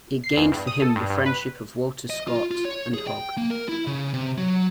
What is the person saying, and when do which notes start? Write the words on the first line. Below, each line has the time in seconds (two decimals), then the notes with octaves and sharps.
It gained for him the friendship of Walter Scott and Hogg.
0.24 C7
0.37 E2
0.52 G2
0.67 D#6
0.82 A4
0.96 G2
1.10 G2
1.26 B4
2.10 D#5
2.28 F4
2.51 F4
2.65 C#5
2.94 G#4
3.07 G5
3.38 A#3
3.50 A#4
3.69 E4
3.87 C#3
4.14 C3
4.38 F#3